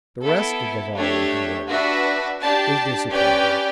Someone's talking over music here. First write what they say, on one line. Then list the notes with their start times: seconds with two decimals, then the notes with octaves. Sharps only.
The rest of the volume, however, is disappointing.
0.24 B3 E4 A4
0.96 A3 D4 G4 C#5 E5
1.67 D4 F#4 B4 E5
2.40 D4 G4 D5 A5
3.11 C#4 G4 B4 D5 G5